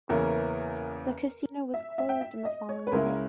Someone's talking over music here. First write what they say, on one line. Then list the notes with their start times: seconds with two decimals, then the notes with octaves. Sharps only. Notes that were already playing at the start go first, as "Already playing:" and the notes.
The casino was closed on the following day.
0.09 E2 C#3 E3 A#3 C#4 A#4
1.74 E5
1.98 E5
2.09 G5
2.21 E5
2.45 D#5
2.69 C#5
2.87 B4
2.92 C#2 C#3 G#3 C#4 E4 A#4